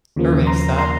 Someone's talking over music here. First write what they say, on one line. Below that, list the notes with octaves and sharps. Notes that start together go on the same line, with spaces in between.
Erase that.
D#2 C#3 F3 A#3
A#5 C6
A#5 C6